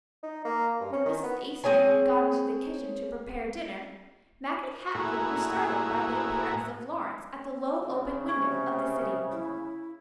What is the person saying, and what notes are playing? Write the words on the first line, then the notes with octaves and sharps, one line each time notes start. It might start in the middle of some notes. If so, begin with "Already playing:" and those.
When Mrs. Eastman had gone to the kitchen to prepare dinner, Maggie Hatfield was startled by the appearance of Lawrence at the low open window of the sitting-room.
D#4
A#3
G2
C#4
D#3
B3
C4 G#4 C#5 G#5
A2 A#3 E4 F#4 G#4
C#3 C4
C3 C#4 C#6 G#6
E4